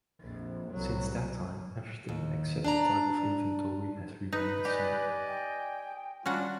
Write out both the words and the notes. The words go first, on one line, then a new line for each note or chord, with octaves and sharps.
Since that time, everything except the type of inventory has remained the same.
A#1 F2
C2 F#3
D#2
D4 D5 A#5
D#4 B4
G4 D5 D#5 G#5
G5
G3 C#4 D4 F4 F#4 F#5